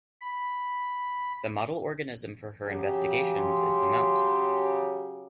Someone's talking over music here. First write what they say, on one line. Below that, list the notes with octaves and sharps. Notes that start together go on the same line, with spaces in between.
The model organism for her investigations is the mouse.
B5
C#3 F#3 G4
C6